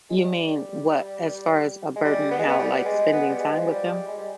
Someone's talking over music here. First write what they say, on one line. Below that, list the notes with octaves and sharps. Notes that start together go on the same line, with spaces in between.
You mean what? As far as a burden, how? Like, spending time with them?
G#3
G3
G#3
G3
B3
G#3
B3
G3
G#3
B3
G3
G#3
F3
G3
G#3
G3